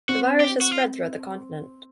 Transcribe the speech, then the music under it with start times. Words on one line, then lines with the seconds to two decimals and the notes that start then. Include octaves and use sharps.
The virus has spread throughout the continent.
0.09 C4 F#4
0.40 G4
0.61 F#4
0.72 F4